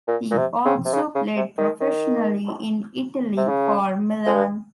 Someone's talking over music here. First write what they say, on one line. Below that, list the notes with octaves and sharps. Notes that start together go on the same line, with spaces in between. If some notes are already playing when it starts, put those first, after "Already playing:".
He also played professionally in Italy for Milan.
A#2
A#2
C3
C#3
C3
C#3
C#3
C3
D#3
D#3
C3
C#3
F2
G2